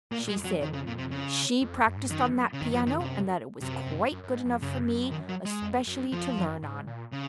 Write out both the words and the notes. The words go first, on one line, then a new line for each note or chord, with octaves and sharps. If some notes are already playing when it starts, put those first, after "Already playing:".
She said SHE practised on that piano, and that it was quite good enough for me, especially to learn on.
A#2 A#3
G#3
F2
F#3
D#3
C#3
A#2
C3
C#3
F2
F#2
G#2
F#2 D#3
C#3
F#2 D#3
F3
D#3
C3
F#2 C3
F#2
F#2
F#2
G#2
F2
F#2 C#3
D#3
F#3
G#3
F2
F#2
F2 F3
F#2
G#2
A#2
C#3